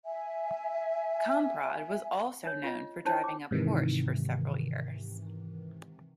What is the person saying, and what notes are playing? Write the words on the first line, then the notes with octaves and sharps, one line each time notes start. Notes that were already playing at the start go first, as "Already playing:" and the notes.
Kamprad was also known for driving a Porsche for several years.
E5 G#5
D#4 C#5
F4 D#5
D4 E4 C5 C#5 A5
G5 D6
G#2 C3 D#3 E3